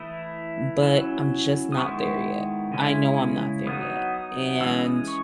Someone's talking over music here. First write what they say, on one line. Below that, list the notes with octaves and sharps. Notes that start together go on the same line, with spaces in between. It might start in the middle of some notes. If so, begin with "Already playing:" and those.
but I'm just not there yet. I know I'm not there yet, and,
Already playing: E3 A3 E4 D#6
F#3 C#4 E4
D#6
D#3 G#3 B3 E4 C#6
C#3 G#3 C#4 E4
F#3 B3 D#4 D#6
D#6
E3 G#3 C#4 E6
D#6
C#6